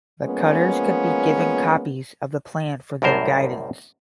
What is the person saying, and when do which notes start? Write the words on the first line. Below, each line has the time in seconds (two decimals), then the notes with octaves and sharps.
The cutters could be given copies of the plan for their guidance.
0.24 F3 G#3 A#3 B3 C#4
3.02 C2 F#2 A2 A#4 C5